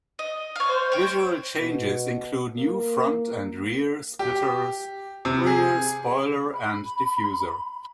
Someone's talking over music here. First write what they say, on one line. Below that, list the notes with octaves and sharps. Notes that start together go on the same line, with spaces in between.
Visual changes include new front and rear splitters, rear spoiler and diffuser.
D#5
C#5 F5
C5
C#5 G5
B2
A#3
G4
C3
G#4
B5